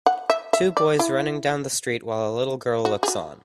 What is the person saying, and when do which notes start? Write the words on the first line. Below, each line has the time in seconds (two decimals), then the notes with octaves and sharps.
Two boys running down the street while a little girl looks on.
0.06 F#5
0.30 E5
0.53 E5
0.77 D5
0.99 E4
2.85 F#4
3.03 G#4
3.08 F#4